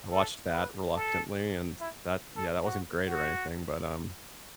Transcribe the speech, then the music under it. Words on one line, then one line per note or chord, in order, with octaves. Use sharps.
I watched that, reluctantly, and that yeah, that wasn't great or anything, but, um,
A4
B4
A4
E4
A4
F#4
F#4